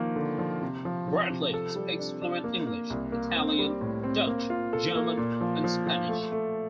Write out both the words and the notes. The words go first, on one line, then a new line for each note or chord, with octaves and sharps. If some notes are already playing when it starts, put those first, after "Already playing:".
Bradley speaks fluent English, Italian, Dutch, German and Spanish.
Already playing: D#3 F3 A#3
D3
F3
C3
F3
F3
C3
A4
G3
D4
D4
A#3
A#3
C2
A#3
C4
G3
A2
C4
A#3
F4
A4
A#3
A#2
F3
F3
F3
A3
A3